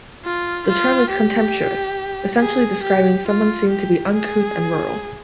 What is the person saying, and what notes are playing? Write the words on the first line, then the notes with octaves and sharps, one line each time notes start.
The term is contemptuous, essentially describing someone seen to be uncouth and rural.
F4
F4
G4
G#4
G4
F4
G4
G#4